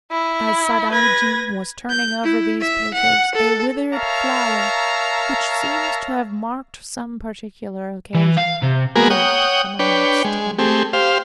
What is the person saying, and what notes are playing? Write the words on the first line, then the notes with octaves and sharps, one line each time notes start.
As Sadaijin was turning over these papers a withered flower, which seems to have marked some particular occasion, dropped from amongst them.
E4
B4 G#6 A#6
G6
E4
E5
F#5
A4
A#4 C#5 E5 F5 A5 A#5
E3
F5
C3
G#3 A#3 B3 F#4 G#4 A#4
C#5 F#5 G5 D#6
D4 B4 C#5 G5
G#3
A3 C4 G4 G#4
G4 C5 F5